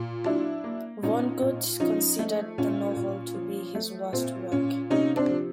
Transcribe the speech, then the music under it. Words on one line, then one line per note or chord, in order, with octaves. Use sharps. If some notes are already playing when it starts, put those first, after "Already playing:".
Vonnegut considered the novel to be his worst work.
Already playing: A#2
F#3 D4 E4
A#3
A#2 C#4 D#4
A#2
F3 C#4 D#4
A3
A#2 C#4
A#2
F3
A3
A#2 C4
A#2 C#4
C3 C#4 D#4
C4 D4
F3